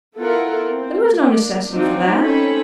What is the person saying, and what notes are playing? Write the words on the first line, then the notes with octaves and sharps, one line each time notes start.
'There was no necessity for that.
B3 E4 F4 A4 A#4 F#5
C4
A#3 D4
C4 D4 D#4 F4 F#4
C4 C#4 D#4 A4 C#5 B5